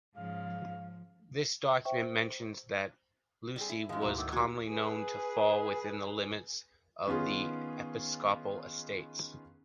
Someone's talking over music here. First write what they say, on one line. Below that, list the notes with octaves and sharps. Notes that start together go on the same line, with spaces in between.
This document mentions that Losey was commonly known to fall within the limits of the episcopal estates.
G#2 C#3 F3 F5
C5 E5 G5 C#6
G3 C4 G#4
E4
F#2 F3 G#3
D2 G#2 B2 A3 E4 A#5
B2 D#3 F#3 D6 E6
C3 F#3 A#3 E4 F#4 G#6
G#4 B4
D#3 B3 C#4 F4 G#4